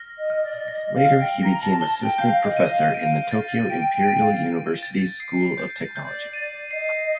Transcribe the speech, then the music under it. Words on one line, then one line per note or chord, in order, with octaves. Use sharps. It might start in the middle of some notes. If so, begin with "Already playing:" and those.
Later he became assistant professor in the Tokyo Imperial University School of Technology.
Already playing: F6 A#6
D#5
F6
D5
D#5 A#6
F5
F6
G5
A#5 A#6
A5
A5 G7
G5
F5 G6
D#5
D#7
F5
F5 D7
A6
G5 D7
G5
A6
F5
D7
A6
C7
G6
D5 G6
D#7
D#5 C7